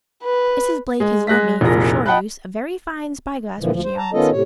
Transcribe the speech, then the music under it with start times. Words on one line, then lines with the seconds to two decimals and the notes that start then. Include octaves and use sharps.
Mrs. Blake has lent me, for shore use, a very fine spyglass which she owns.
0.23 B4
1.00 G#3
1.27 G#3 F#6 A#6 B6
1.61 F1 C2 A#2 G#4 A#6
2.06 D#5 F#5 G5 A5 B5 F#6
3.59 A#2 D3 E3 F3
3.72 D2 F3
3.84 C5
3.98 A5 A#5
4.13 D#3 B3 C#4 F4 A4 D#5
4.31 A2 C3 C#5